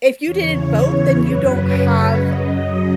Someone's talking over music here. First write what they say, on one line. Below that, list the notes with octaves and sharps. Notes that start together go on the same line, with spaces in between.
If you didn't vote, then you don't have"
E2 C#3 E3 C#5
F#2 C#3 F#3 B4
C#5
F#2 C#3 F#3 D#5